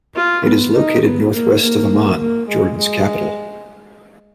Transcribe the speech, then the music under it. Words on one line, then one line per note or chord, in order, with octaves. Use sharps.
It is located northwest of Amman, Jordan's capital.
F4
B3
D#4
B3
A#3
A#3
A#3
G#3
G#3